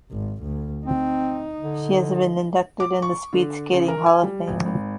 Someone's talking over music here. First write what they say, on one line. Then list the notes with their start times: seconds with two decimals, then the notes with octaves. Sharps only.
She has been inducted in the Speed Skating Hall of Fame.
0.11 G#1
0.42 D2
0.86 C4 D#4
1.61 D3
2.80 D6
3.02 C#6
3.33 D3
3.73 C#3
3.88 A#4
4.06 G#5
4.23 G3
4.47 G#1
4.66 G#1